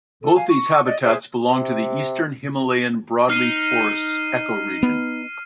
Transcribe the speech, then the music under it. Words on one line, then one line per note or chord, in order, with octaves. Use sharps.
Both these habitats belong to the Eastern Himalayan broadleaf forests ecoregion.
A4
F5 G#5
C#6
D5 D#5
G#4 C5 E5
C3
D#4 F6 C7 D#7
B3